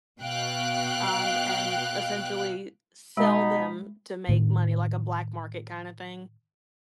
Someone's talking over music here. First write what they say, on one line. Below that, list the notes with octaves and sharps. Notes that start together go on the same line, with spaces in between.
um, and essentially sell them to make money, like a black market kinda thing.
B2 F5 G5 F#6
B2 G#3 D#4 B5
A2 D#3